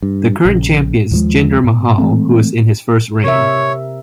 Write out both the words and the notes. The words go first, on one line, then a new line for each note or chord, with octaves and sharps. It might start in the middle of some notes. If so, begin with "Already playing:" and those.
The current champion is Jinder Mahal, who is in his first reign.
G2
A#1 C#3
D#2 F3 G#3
G#2 B2
E3 G#3 A3 C4
C3 A#4 C#5 E5